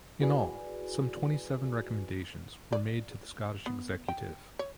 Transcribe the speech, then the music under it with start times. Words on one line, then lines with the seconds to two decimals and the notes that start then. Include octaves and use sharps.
In all, some twenty seven recommendations were made to the Scottish Executive.
0.20 E4 F#4 G#4 B4 D5 G#5
2.72 D5
3.66 B3
4.08 G5
4.59 C#5